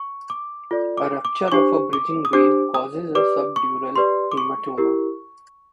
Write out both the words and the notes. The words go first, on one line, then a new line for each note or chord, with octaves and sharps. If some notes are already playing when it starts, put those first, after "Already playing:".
A rupture of a bridging vein causes a subdural hematoma.
Already playing: C#6
D6
F4 A4 D5
D6
D6
D6
D4 G4 C5 C#6
D6
D#6
D4 G4 C5 D6
D#6
G4 B4 D5 D6
C#6
G4 B4 D5 C6
D6
C#6
E4 G4 A#4